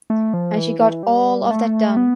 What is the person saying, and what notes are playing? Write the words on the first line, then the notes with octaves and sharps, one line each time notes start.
And she got all of that done.
A3
F3
E3
E3
G3
A3
B3